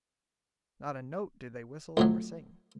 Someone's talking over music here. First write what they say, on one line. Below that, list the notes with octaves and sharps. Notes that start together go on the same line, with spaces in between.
Not a note did they whistle or sing.
F2 A2 F#3